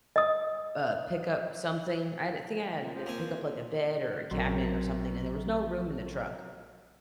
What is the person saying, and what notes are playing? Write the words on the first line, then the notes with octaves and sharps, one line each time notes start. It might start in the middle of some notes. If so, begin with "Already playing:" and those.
uh, pick up something I had to I think I had to pick up, like, a bed or a cabinet or something, and there was no room in the truck,
D#5 D#6
A#2
F3
A#3 C4 G#5
A#1 F#3 C4 A#4 C6